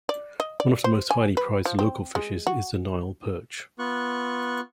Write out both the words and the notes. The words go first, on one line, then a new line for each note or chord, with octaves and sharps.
One of the most highly prized local fishes is the Nile Perch.
D5
D#5
D5
C5
G#5
B4
F3
C4
G#3
F#4
B3 F4 C#6 F#6